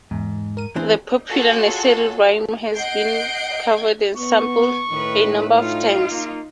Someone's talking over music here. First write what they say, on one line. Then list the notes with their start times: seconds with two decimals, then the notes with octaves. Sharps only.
The popular nursery rhyme has been covered and sampled a number of times.
0.11 E2 G#2
0.57 A#4 D#7
0.76 E3 C4 D4 G#4
1.27 F4 F#4 G#4 A4 C#5
2.74 D#5 F#5 G6 C7 D7
4.16 B3 C#6
4.91 A2 D#3 B4
5.56 D#4 F4 F5
6.12 A#3